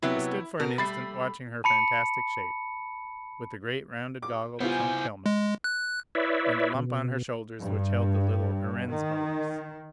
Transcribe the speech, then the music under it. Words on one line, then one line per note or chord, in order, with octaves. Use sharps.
I stood for an instant watching her fantastic shape, with the great rounded, goggled, trunked helmet and the lump on her shoulders which held the little Erentz motors.
C3 F#3 B3 E4
B2 A#4
G3 A3 B5 A6 C7
A5 B5 C#7
D6
B3 E4 F4 C5 G#5 G6
G#3
F#6
E4 B4 C#5 D5 E5
B2
G2
D#3